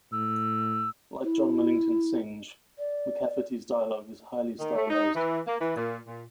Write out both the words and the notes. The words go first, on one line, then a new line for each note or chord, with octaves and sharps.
Like John Millington Synge, McCafferty's dialogue is highly stylized.
A2 E6
E4
D5
D#3
A3
D#4
E3
A#3
E3
A#2
A#2